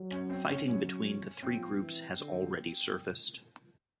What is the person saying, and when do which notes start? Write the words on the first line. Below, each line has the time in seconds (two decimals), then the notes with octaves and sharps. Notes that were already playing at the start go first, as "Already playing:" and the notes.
Fighting between the three groups has already surfaced.
Already playing: F#3
0.11 C#4
0.30 C4
0.49 C#4
0.68 F#3 C#4
1.42 F3 C4
1.81 E3
2.19 D3